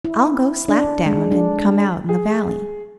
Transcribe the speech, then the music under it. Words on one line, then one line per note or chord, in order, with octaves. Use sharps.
I'll go slap down, and come out in the valley.
E4
D4
G#3
D4
G#4